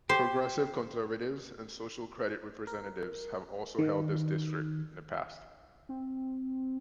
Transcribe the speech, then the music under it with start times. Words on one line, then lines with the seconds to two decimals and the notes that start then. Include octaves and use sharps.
Progressive Conservatives and Social Credit representatives have also held this district in the past.
0.09 G4 C5
2.67 A#4
3.79 D#3
5.89 C4